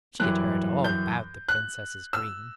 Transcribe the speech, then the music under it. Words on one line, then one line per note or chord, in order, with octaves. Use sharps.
She had heard all about the Princess's dream.
F#2 E3 G3 F#6
G6
F#6
E6